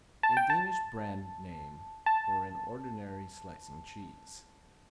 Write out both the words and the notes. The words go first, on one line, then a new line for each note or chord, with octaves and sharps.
A Danish brand name for an ordinary slicing cheese.
A5
G5
A5
A5